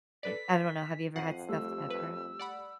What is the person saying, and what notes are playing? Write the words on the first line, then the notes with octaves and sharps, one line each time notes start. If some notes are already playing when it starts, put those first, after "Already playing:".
and I don't know, have you ever had stuffed pepper?
A4 B4 D5 B6
F2 F#5 C7 D#7
G3 A3 E6
B4
D5 F#5 B5